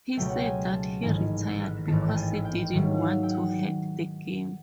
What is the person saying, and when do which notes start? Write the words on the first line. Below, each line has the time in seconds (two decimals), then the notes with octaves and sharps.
He said that he retired because he didn't want to hurt the game.
0.17 C#2 B2 F#3 A3 G5
0.29 F#5
0.37 G5
0.46 G#5
0.74 A5
1.02 A1 G#2 D#3 G#5
1.88 A1 G#2 D#3 A5
2.08 G5
2.17 G#5
2.45 G5
2.74 G#2 D#3 F#3 A3
2.98 F5 F#5
3.23 G5
3.30 F#5